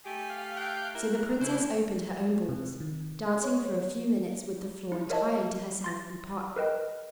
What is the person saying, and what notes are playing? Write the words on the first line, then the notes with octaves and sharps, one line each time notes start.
So the princess opened her own balls, dancing for a few minutes with the floor entirely to herself and partner.
A3 G4 G#5
F5
G5 F#6
E4 A#4
C#3 E4 C5
C3
D#3
C#5
E4
A#4 C#5 D#5 E5 A5
C6 A6 A#6
A#4 B4 D#5 G5